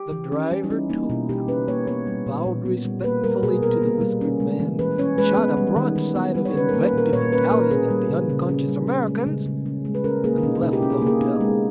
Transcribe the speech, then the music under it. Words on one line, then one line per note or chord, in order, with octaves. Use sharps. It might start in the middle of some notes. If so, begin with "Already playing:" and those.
The driver took them, bowed respectfully to the whiskered man, shot a broadside of invective Italian at the unconscious Americans, and left the hotel.
Already playing: G4
E3
C#4
G3
D#4
C#4 E4
A#3 D#4
B2 E4
B2 G4
C#4 B4
A#3 C#5
B3 C#5
G3
A#2
A#2
B3
G3
A#3 B4
G3 A#4
B2 G#4
B2 A#4
A#3
G3
C#4
G#3
E3
E3 B4
C#4 C#5
G#3 B4
B3
G3
D#3
D#3
B3
G3
C#5
C#4 B4
A#4
A#3
B4
A#2 A#4
A#2 C#5
C#4 B4
A#3 A#4
C#4 G#4
G3
C#3
C#3
C#4
G3
C#4
G#3
C#3
C#3
C#4
G#3
B4
C#4 A#4
A#3 G#4
D#4
B2 C#4
E4
B2 D#4
G4
E4
C#4
G#4
A#3
G#4
B3 D#4
G#3